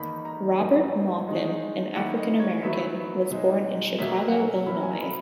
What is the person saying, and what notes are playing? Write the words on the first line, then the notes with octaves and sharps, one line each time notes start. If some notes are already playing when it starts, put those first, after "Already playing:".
Robert Maupin, an African-American, was born in Chicago, Illinois.
Already playing: E2 D#3 A#3 D#4 B5
A#5
G#2 F#3 B3 D#4
D#3 G#3 D#4
D#3 A#3 E4 F#5
D#5
C#5
D#3 F#3 B3 E4 E5
B2 G#3 D#4
B2 F#3 A#3 E5
F#5
G#5
B2 F#3 C#4 E4 B5
A#5
G#5
A#5
B5